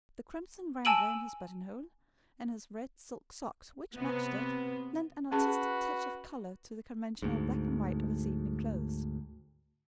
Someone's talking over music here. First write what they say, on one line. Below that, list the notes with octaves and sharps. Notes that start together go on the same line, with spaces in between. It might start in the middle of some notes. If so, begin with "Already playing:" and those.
The crimson rambler in his button-hole, and his red silk socks, which matched it, lent an artistic touch of colour to the conventional black and white of his evening clothes.
G#5 A5 E6 D7 D#7 F#7
C3 B3
C#4 F#4 G#4 B4 A5
D2 G#2